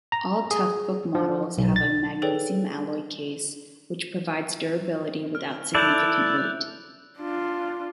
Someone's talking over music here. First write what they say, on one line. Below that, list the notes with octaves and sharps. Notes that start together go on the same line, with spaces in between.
All Toughbook models have a magnesium alloy case, which provides durability without significant weight.
A#5
G#4
F3
B1
A6
G#4 A4 B4 C#5 D5 G5
F6
E4 A4 D5 F#6 G6 F7
D4 F4